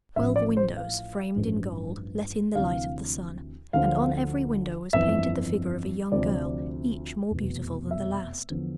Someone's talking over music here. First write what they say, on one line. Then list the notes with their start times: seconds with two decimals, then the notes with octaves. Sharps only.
Twelve windows framed in gold let in the light of the sun, and on every window was painted the figure of a young girl, each more beautiful than the last.
0.16 A1 A2 F3 E5
0.36 D5
0.57 C5
0.77 F5
1.35 A1 G2 F3
2.55 D2 C3 E3 F5
3.73 D2 D3 F3 F5
4.93 G1 F2 E3 E5
6.12 D2 C3 F3 D5
7.31 F1 E2 B2
7.91 E5
8.50 E2 D3 F3